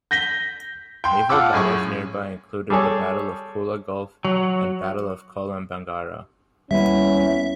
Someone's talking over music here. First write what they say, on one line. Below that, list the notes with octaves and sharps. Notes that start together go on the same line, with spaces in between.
Naval battles nearby included the Battle of Kula Gulf and Battle of Kolombangara.
G6 A#6 B6 G7
G5 C6
F4 F#5 A5 D6 E6
F#2 A2 G#4 C#6
G3 G#4 A4 C#5
F#3
D#2 G3 B3 C#4 E4 E5